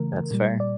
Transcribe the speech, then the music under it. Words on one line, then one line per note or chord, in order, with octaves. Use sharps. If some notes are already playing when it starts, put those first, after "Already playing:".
That's fair.
Already playing: C#3 E3 A3 A#4
A#2 G3
D5